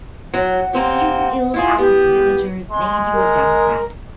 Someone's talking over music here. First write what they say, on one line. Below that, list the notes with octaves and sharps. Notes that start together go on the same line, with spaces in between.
A few ill-housed villagers made you a democrat.
F#3 F#5
A#3 C4 G4
E4 F4 G#4
B3 G4
G#3 C6
A#4